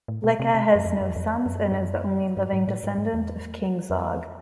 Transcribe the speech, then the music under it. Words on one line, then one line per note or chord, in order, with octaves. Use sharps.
Leka has no sons and is the only living descendant of King Zog.
A2
B2
C3
C3
F#2
F2
F#2
E2
F2
F#2
G2
F#2
G2
G#2
A2
G#2
G#2
E2
F2
E2